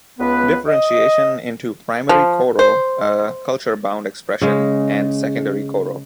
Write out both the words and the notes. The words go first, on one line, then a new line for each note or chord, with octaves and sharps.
Differentiation into primary koro, a culture-bound expression, and secondary koro.
C#2 B3 B4
D#5
F3
C5
C#3 G#3